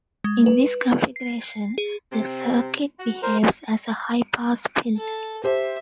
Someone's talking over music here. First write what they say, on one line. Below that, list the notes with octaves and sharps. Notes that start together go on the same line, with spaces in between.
In this configuration, the circuit behaves as a "high-pass filter".
G#3
B4
C7
G#4
C3 C4
F#4
A#2 F3 A#4 C5
A4
G4 C5 E5